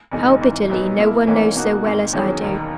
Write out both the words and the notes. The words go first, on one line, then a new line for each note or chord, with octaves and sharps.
How bitterly no one knows so well as I do.
F#1 E2 B2 G#3 D#4
G#1 G#2 E3
B1 A#2 F#3 B3 D#4
B2 A#3 E4 A#4
G#1 G#2 E3 A#3 C#4
B2 A#3 D#4 F#4
G#1 G#2 D#3
E2 D#3 F#3 C#4 G#4
E1 D#2 D#3